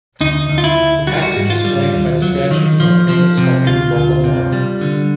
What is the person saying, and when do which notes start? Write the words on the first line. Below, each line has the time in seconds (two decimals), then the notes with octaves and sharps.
The passage is flanked by statues by famous sculptor Lola Mora.
0.21 D2 D#4
0.49 D2
0.58 F4
0.64 E4
0.78 D2
1.07 G3 F#4
1.14 F4
1.22 F#4
1.36 G#2
1.50 F4
1.65 G3
1.93 D#2
2.22 F#3
2.51 D#3
2.80 F3
3.09 F3
3.38 C3
3.66 D2 F4
3.95 D2
4.24 C3
4.53 G3
4.81 D3